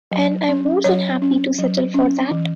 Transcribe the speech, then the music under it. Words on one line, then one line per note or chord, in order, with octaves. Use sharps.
And I'm more than happy to settle for that.
F#3
C#4
F#3 C#5
C#4
F#3
C#4
E3